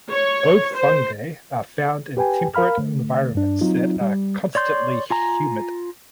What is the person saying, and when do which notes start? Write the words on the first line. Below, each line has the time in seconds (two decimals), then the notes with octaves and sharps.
Both fungi are found in temperate environments that are constantly humid.
0.11 C#5
0.74 C5
2.17 G4 B4 G5 G#5
2.55 A#4 F5 B5 F6
2.78 D3 A3
3.35 G2 D4
3.61 F#3 C4 D#4 F4
4.01 G3
4.55 C#5 D5 C6 G6
5.10 F4 G#5 A#5